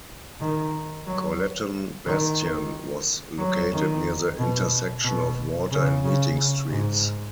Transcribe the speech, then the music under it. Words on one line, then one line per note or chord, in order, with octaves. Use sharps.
Colleton Bastion was located near the intersection of Water and Meeting Streets.
D#3
F#3
D#3
F#3
D#3
B2
B2
C#3
C#3
C#3
G#2